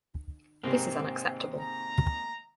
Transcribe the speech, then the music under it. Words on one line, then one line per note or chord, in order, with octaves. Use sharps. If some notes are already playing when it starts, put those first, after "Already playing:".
This is unacceptable.
G#2 C3 D#3 A#3 C4
A#5